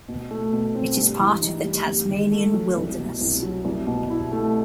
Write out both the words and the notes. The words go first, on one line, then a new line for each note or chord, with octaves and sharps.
It is part of the Tasmanian Wilderness.
B2
A3
B2
C4
G2
E3
D#4
G3
G2
D#3
A3
F#3
C2
B2
C2
F#3
C2
B2
E4
A3